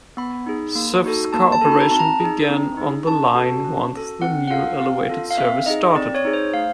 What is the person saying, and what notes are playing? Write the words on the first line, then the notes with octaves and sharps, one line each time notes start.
Surface car operation began on the line once the new elevated service started.
B3 B5
D#4 G#4
A#3
D#4 F#4 A4
A#3 A5
A5
D#4 F#4 A4
B5
A#5
C4 A5
A#5
D#4 G#4
C4
D#4 G#4
C#4 A5
F#4 A4
C#4
F#4 A4
C4 F#5
F#5
F4 A4 F5
C4 F5
F4 A4
F5
C4 E5
D#4 G#4 D#5
C4 D5
C#5
D#4 G#4
C5
A3 F5